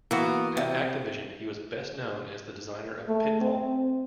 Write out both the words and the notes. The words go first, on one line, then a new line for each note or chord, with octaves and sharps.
At Activision, he was best known as the designer of "Pitfall!".
E3 A#3 B3 F#4
C3
A3
C4